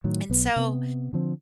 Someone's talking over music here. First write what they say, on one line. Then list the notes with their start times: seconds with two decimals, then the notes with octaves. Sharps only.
And so
0.04 A2 D#3 F#3
0.30 B1 B3
0.56 C3 B3
1.13 D3 F3 C4